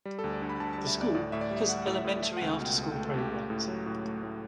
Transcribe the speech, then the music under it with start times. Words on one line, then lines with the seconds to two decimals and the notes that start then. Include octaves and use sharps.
The school has elementary after-school programs.
0.05 G3
0.19 A4
0.24 D2
0.33 D5
0.42 D3
0.49 B5
0.60 D2 A5
0.73 A5
0.78 G3
0.87 E5
0.97 D2 D5
1.15 A2 D5
1.32 A2 E5
1.41 D5
1.51 G3
1.57 E5
1.69 G3 F#5
1.82 F#5
1.87 A2
1.96 E5
2.04 A2 D5
2.23 A3 E5
2.37 F#5
2.42 C#2
2.50 F#5
2.59 B2 G5
2.78 C#2
2.92 G5
2.96 A3
3.05 A4
3.14 C#2 G4
3.32 A3
3.50 A2
3.68 F#3
3.86 A2
4.05 A3
4.23 A2